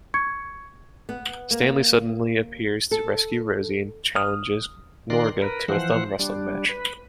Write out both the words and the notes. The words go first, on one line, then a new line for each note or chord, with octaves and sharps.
Stanley suddenly appears to rescue Rosie and challenges Gnorga to a thumb-wrestling match.
C#6 G#6 C#7
B3
A#3
A4
D#6 F6
D#3 A#4 D5 C6 F#6
A#4 B4
E3 F3 C5 F#5
G3 D4
B4